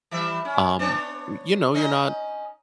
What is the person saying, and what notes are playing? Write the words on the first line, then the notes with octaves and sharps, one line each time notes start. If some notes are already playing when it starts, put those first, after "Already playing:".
um, m you know, you're not,
E3 G3 E5
C#4
B3 D4 C#5
C#4 D#4 D#5